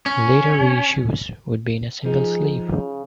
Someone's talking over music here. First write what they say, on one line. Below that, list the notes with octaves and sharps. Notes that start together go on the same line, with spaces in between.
Later reissues would be in a single sleeve.
C#4
F3 D#4 G#4
C#3